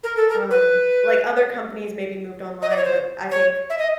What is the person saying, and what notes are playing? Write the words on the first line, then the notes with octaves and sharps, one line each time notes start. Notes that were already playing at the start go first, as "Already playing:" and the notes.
Um, like, other companies maybe moved online, but I think
A#4
A4
A#4
B4
D#5
D5
C#5
C5
C#5
E5
D#5